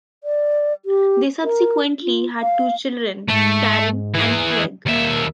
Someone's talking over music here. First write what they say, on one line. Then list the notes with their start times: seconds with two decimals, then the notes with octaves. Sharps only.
They subsequently had two children, Karen and Craig.
0.24 D5
0.85 G4
1.43 A#4
2.03 F4
2.41 F5
3.29 G#2 A3
4.14 E3 G#4
4.86 D#2 A#3 E5